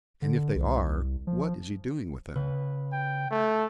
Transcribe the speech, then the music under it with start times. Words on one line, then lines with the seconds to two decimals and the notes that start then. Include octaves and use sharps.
"And if they are, what is he doing with them?"
0.22 D3
0.56 C2
1.27 F3
2.36 C#3 B4
2.92 G5
3.31 A3